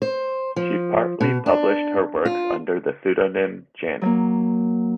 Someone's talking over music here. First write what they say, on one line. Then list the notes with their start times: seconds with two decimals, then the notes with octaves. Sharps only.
She partly published her works under the pseudonym "Janus".
0.02 C5
0.56 F3
1.21 B2
1.46 D4
2.25 F4
4.01 F#3 A#3